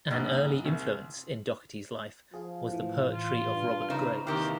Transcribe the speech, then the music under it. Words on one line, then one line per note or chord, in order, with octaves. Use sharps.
An early influence in Dougherty's life was the poetry of Robert Graves.
A#1 G#2
C2
F3 F4 G#4
A2 E3
F4
G2
C#3 D#4 C5
D#2 C3 D#3 E3 G4 F5 G5